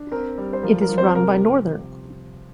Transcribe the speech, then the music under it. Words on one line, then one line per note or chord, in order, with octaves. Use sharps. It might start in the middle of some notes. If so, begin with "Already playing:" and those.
It is run by Northern.
Already playing: D4
C4 A#4
G3
C5
F3 A#4
A#4
F3
C4 C5
C3 A#4